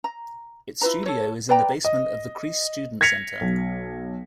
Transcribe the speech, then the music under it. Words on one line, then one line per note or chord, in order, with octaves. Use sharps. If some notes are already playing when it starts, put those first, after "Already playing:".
Its studio is in the basement of the Creese Student Center.
A#5
E4 F4 B4 A#5
A4 C#5
B4 D5 G5 A#5
D#5
G#6 A#6 B6 C#7 F7
B1